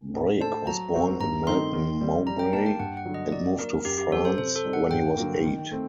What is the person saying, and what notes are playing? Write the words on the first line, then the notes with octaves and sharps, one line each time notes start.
Brake was born in Melton Mowbray and moved to France when he was eight.
A2
A3 D4 A4 C5 A5
F#3 A#5
C4 F#4 A4 C5
G2 A#5
D#3 A3 C4 D#4 C6
D#3
G3 C4
G3 A#5
G5
A#3 D4 A5
G5
G2 F#5
F#5
D3 F#3
D#5
F#3 D5
A#3 D4 A#4
F#2 G4
G4
F#3 C4 G4 A4 C5
C5
C3 C5
A4
G3 C4 D#4
F#5
G2 G5
D3 F#3 A#3
D#3
A3 C4